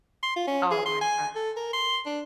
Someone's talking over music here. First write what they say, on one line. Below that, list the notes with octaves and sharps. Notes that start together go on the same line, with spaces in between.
Oh my gosh.
C6
F4
C#4
G#4
C6
G#5
A4
A#4
C6
D4